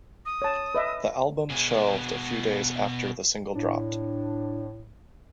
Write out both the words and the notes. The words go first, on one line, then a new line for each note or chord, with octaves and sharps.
The album shelved a few days after the single dropped.
D#6
C#5 A5
B4 D#5 E5
B2 G#4
A2 D4